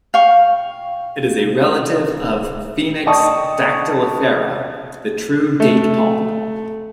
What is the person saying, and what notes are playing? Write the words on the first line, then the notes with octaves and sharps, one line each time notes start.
It is a relative of "Phoenix dactylifera", the true date palm.
F5 G5 C#6
D5 D#5 G5 A5 C#6 D#6
A3